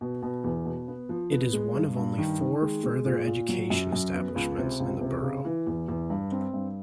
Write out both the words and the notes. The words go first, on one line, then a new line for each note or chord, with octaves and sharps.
It is one of only four further education establishments in the borough.
B2
B2
E2
B2
B3
F3
B3
G#3
G2
G2
D#3
D#3
G#3
G#3
A#2
A#2
F#3
F#2
F#2
B3
C#2
C3
C#2
C3
C#3
E3
E2
E2
G2
C4
G2